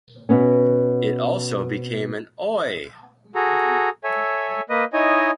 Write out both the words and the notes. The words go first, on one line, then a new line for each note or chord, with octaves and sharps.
It also became an Oi!
B2 B3 C#4
F#4 G#4 A4 A#5
A4 C#5 E5 G#5
A#3 B4 D#5
D#4 E4 C#5 D#5 G#5